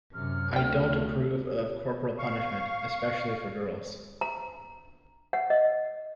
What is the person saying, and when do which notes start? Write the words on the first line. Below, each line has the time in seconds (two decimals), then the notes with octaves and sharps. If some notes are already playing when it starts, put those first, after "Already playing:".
I don't approve of corporal punishment, especially for girls.
0.14 F#2 C3 F6
0.53 D2 D5 G5
2.19 F5 C#6
4.21 A#5
5.33 F#5
5.50 D#5